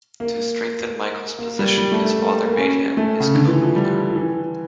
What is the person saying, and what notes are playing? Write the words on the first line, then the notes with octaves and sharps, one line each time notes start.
To strengthen Michael's position, his father made him his co-ruler.
A#3
A#3
G3
G3
A3
A3
A#3
A#3
C#4
A3
C#3
D3
E3
F3
G3
F3
E3